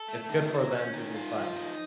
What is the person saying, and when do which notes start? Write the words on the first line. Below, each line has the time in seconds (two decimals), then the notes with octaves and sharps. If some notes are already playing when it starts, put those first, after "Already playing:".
it's good for them to just, like
Already playing: A4
0.08 A3
0.29 D#3
0.51 F#3
0.72 C#4
0.93 D#3
1.14 F4
1.35 F3
1.56 D#4